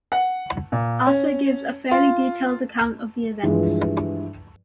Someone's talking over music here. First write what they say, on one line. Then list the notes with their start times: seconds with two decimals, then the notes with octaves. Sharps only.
Asser gives a fairly detailed account of the events.
0.12 F#5
0.72 A#2
1.06 C#4
1.91 F4
3.43 G2 E3 F3 G3 G#3